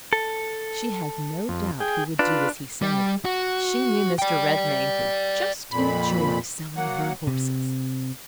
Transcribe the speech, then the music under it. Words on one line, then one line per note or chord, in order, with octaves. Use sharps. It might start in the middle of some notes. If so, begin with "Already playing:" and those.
She had no doubt he would do as he said; she knew Mr. Redmain would just enjoy selling her horses.
A4
F2
G#4 G5
D4 F4 B4
G3
F#4
D5 G5
F2 A#2 B5
F#3 A#3 F#5
C3